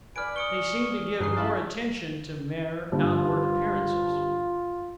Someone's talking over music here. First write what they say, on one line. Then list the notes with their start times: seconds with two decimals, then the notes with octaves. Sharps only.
They seemed to give more attention to mere outward appearances.
0.16 B4 D5 G#5 F6 D7
0.36 C#6 D#6 D7 G7
1.20 G2 C#4 D#4 B4 C7
1.37 C#4 E4 F4 D5 A5 B5
2.92 G2 D3 F3 F4